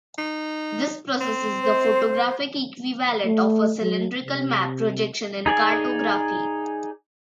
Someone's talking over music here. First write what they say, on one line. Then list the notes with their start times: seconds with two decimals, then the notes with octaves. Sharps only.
This process is the photographic equivalent of a cylindrical map projection in cartography.
0.18 D#4
1.21 C4
1.62 C5
3.25 A3
3.82 F#3
4.24 C3
5.46 D#4 G#4 D5 G#5